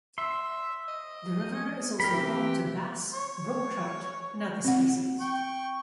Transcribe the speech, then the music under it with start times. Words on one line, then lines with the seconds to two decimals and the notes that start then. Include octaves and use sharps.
The river is also home to bass, brook trout, and other species.
0.18 E5 C6
0.88 D#5
2.00 G4 A#4 B5
2.14 E3 C4 E4
3.14 C#5 C#6
4.65 C4 F#5
5.20 G5 C#6